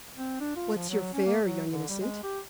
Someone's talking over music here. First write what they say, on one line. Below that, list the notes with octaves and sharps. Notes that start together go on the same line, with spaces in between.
"What's your fare, young innocent?"
C4
D4
F4
F3
F#3
C#4
A#3
F#3
D3
G3
G#3
G4